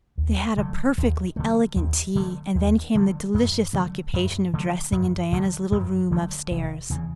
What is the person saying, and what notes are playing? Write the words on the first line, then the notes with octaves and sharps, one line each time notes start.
They had a "perfectly elegant tea;" and then came the delicious occupation of dressing in Diana's little room upstairs.
D#2
D3 F#3 A3
D#2
D3 F#3 A3
D#2
D3 F#3 A3
D#2
D3 F#3 A3
F#2
D3 F#3 A3
F#2
D3 F#3 A3
F#2
D3 F#3 A3
F#2
D3 F#3 A3
F1
E2 C#3 E3